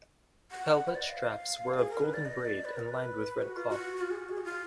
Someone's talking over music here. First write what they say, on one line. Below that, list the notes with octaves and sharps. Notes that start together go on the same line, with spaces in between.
Epaulette straps were of golden braid and lined with red cloth.
F#5
B4
D5
D#5
F5
G#4
A#4
B4
D5
D#5
D5
B4
A#4
B4
F#4
F4
F#4
F#4
F4
G#4
F#4
G#4
F#4
F4